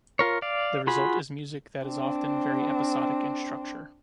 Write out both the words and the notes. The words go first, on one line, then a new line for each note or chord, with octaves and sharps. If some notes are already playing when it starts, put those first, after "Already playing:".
The result is music that is often very episodic in structure.
F4 A#4 C#5
D5 F5
F4 F#4 G#4 B5
C4 D4